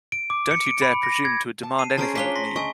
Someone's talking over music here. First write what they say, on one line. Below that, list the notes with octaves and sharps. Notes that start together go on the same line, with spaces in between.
Don't you dare presume to demand anything of me!
D7
D6
C#7
D7
B5
A#6
G#6
A5
C7 D#7
C#4 G#4 C5 A5 A#5 D7
D4 F4 C#5 B6 G7
C6 A#6 B6
D2 D#5 G#5 C#6